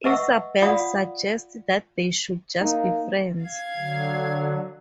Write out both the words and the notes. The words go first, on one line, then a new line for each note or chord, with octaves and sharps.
Isabelle suggests that they should just be friends.
B4 D#5 E5 F#5 C#6 E6
F4 D5 F5 F#5 B5 D#6
A#3 D#4
F5 G#6
D3 F#3